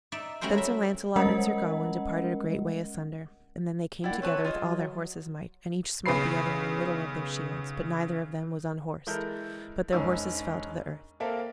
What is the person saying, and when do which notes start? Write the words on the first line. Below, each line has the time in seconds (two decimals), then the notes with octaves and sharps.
Then Sir Launcelot and Sir Gawain departed a great way asunder, and then they came together with all their horses' might, and each smote the other in the middle of their shields, but neither of them was unhorsed, but their horses fell to the earth.
0.12 D#4 D5 E5
0.41 F#3 G3 A3 C#4 A#4 C5
0.58 E5
1.16 G3 G#3 C#4 A#4 D#5 F#5
4.04 A#2 E4 D5 F#5 G5
4.22 C4 B4 C#5 A5
4.44 F4 G#4 D#5
4.60 F#3
4.74 F#3
6.06 B1 C#3 B3 B5 C7
9.07 E3 G#3 A4 A#4 E5 G6
9.93 E1 G#2 C#4 D#4 E6
11.20 A#3 C4 A4 A#4 E5 F5